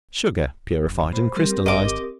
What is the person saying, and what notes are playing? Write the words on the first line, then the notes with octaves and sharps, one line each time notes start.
Sugar purified and crystallized.
F#1
A#2 C5 B5
G3 C4 G4 A#4
G#1 D#5 D6